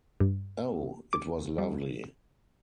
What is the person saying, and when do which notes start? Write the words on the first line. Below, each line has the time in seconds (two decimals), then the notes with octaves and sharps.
Oh, it was lovely!
0.20 G2
1.13 D6
1.58 G3